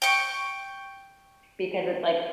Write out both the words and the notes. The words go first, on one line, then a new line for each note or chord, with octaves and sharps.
because it's, like,
G5 C#6